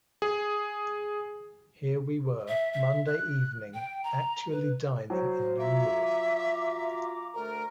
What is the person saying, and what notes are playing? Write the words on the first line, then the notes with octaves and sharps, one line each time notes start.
Here we were, Monday evening, actually dining in New York.
G#4
E5
E5
F#6
G5
A#5
B4
F#3 C5
F4 E5 A#5 D6
D2 A3 A#4 A#5